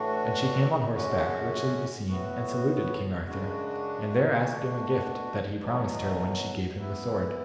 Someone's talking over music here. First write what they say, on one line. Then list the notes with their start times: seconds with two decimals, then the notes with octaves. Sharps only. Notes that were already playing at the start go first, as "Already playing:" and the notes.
And she came on horseback, richly beseen, and saluted King Arthur, and there asked him a gift that he promised her when she gave him the sword.
Already playing: A2 E3 A3 D4 F#4
0.92 F#2 D3 G#3 C#4 F#4
2.09 A2 E3 B3 F#4
3.26 F#2 C#3 G#3 D4 F#4
4.42 B2 A3 D4 F#4
5.58 E2 B2 F#3
6.76 E3 B3 E4